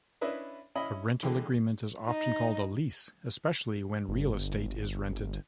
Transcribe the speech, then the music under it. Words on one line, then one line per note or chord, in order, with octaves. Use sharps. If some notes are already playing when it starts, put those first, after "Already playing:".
A rental agreement is often called a lease, especially when real estate is rented.
C#4 D4 E4 B4 D#5 E5
C#4 E4 D#5 B5
D3 E3 G#3 G4
D#4 D#5
G1